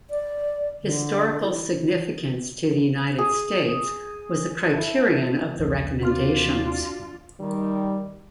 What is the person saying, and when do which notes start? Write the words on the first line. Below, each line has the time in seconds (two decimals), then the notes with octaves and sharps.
Historical significance to the United States was a criterion of the recommendations.
0.10 D5
0.83 D3
1.42 E4
3.18 G#4
4.74 E4 E5 A5
5.60 A#1 D#2
6.01 C3 D4 F4 F#4 C6 F6
7.41 D#3 G3